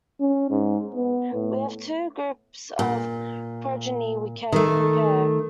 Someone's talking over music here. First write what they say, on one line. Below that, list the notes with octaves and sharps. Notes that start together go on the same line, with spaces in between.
We have two groups of progeny we can compare.
C#4
G#2
B3
A2
A#2
D#3 A3